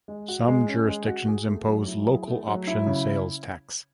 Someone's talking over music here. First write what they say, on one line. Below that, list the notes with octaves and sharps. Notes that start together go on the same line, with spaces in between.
Some jurisdictions impose local option sales tax.
G#3
F#4
G#3
C#4
G#3
F#4
G#4
A3
F#3
E4
G#4
A3
F#3
E4
C#3